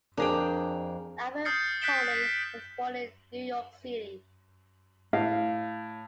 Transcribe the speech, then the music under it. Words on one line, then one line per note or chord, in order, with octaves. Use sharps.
Alfred Poling was born in New York City.
F2 D4 G#4 A#4 G5
D#6 F6 G6 A6 C7 C#7
F#6 G6 B6 D7 E7 G7
A2 F5